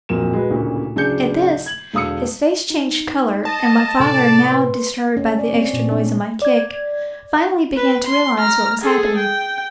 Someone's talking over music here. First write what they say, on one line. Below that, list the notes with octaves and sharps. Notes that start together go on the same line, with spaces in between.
At this, his face changed color and my father now disturbed by the extra noise of my kick, finally began to realize what was happening.
D1 F2 A#2 E7
G#3 F#4 B4
A1 D2 A#2 C#3
D1 C#3 D4 G#4 G6 C#7
G#6 F#7
E1 D3 F5 D#6 E6 C#7
D#4
D#5 A5
A2 C3 A4 D5
B4 C6
C#4
D5
C4
A#2
D4
D5 G#6
B4
C6
A#5 F6
G#4 A4
G5